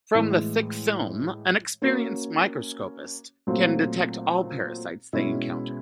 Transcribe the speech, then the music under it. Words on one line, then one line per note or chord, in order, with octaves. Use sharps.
From the thick film, an experienced microscopist can detect all parasites they encounter.
A2 E3 G#3
A#3 C#4 F#4
A#2 F#3 A3 C4 F4
B2 G#3 C#4 E4